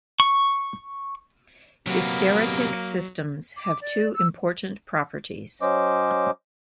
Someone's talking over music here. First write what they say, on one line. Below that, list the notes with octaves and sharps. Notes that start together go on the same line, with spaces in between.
Hysteretic systems have two important properties.
C#6
C3 F#3 A#3 B3
D6
D5
E6
F#3 C#4 C5 D#5 D6